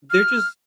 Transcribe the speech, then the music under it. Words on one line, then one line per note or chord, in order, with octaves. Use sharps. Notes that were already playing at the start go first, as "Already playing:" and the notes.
They're just
F6